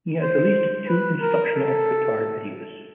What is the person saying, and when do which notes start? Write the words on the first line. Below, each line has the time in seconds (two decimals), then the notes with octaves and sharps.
He has released two instructional guitar videos.
0.22 C5
0.88 B4
1.21 A#4
1.54 A4